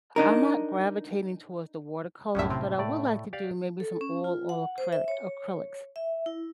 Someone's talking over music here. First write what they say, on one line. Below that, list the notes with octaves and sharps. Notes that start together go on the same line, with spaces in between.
I'm not gravitating towards the watercolors, but I would like to do maybe some oil or acrylic acrylics.
D4 D#4 A#4
B1 F#2 A2 C#4 E5
C3
A2 A3 D5
G4 D5 F5
A4
C#4
F4
F#5
C5
E5
C#5
E5
E4